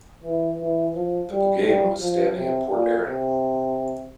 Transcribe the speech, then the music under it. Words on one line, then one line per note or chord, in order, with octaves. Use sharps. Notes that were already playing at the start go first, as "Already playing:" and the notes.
The Buggane was standing at Port Erin.
E3
E3
F3
G3
G3
F3
C3
A#2
C3